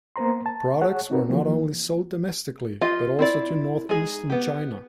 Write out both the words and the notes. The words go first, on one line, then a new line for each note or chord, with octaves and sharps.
Products were not only sold domestically, but also to northeastern China.
A#3 B3 C5 A#5 C6
A5
G#4 C#5 F#5
C4 D#4 F#4 A#4 B4
E3 F3 A#3
F4 G4 D#5 F5
C4 E4 D5
G#3 D#4 G#4
B3 G4